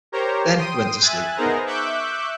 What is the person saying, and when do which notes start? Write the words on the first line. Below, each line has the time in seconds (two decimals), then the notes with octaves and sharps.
Then he went to sleep.
0.12 G4 A#4 C5 C#5 A#5
0.56 G5 C6 D#6 D#7
1.01 E5 G#5 F#6 A6
1.36 B3 D#4 G#4 A#4 C5 A#5
1.66 E5 C#6 D6 E6 F#6 G6